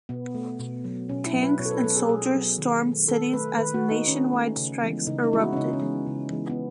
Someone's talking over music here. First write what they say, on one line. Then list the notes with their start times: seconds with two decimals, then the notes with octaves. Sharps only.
Tanks and soldiers stormed cities as nationwide strikes erupted.
0.09 B2 B3
0.34 A3
0.59 B2
0.84 F#3 B3
1.09 B2 C#4
1.26 E4
1.34 F#3 B3
1.43 B4
1.59 B2 C#5
1.66 A4
1.71 B4
1.84 F#3 B3 A4
1.96 G#4
2.08 B2 G#4
2.34 F#3 B3
2.58 D#3
2.84 A3
3.08 D#3 A4
3.33 A3 B4
3.57 D#3 B4
3.74 F#4
3.83 A3
3.91 D#4
4.07 D#3 C#4
4.33 A3
4.57 C#3
4.83 E3 G#3 B3
5.07 C#3 D#4
5.24 D#4
5.32 E3 G#3 B3 E4
5.40 F#4
5.53 C#4
5.56 C#3 D#4
5.73 C#4
5.81 E3 G#3 B3
6.07 C#3
6.31 E3 G#3 B3
6.50 B3